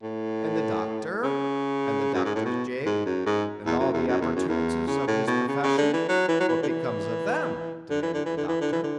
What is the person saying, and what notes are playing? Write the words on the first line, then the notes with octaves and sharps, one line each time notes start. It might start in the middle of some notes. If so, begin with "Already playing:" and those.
"And the doctor, and the doctor's gig, and all the appurtenances of his profession--what becomes of them?" demanded the Doctor.
A2
C#3
F#2
G#2
A2
B2
G#2
F#2
G#2
E2
F#2
E2
F#2
E2
F#2
E2
C#3
A2
B2
C#3
C#3
D3
E3
F#3
E3
F#3
E3
D3
E3
D3
E3
D3
E3
D3
E3
D3
E3
D3